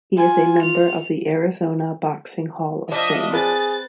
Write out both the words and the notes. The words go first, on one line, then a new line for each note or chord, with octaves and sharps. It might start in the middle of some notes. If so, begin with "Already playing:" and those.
He is a member of the Arizona Boxing Hall of Fame.
F4 G#5
F7
F3 D4 D#5 E5
C4 G#4 B4 A6